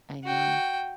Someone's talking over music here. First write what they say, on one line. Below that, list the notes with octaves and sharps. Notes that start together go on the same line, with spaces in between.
I know.
F#4 G5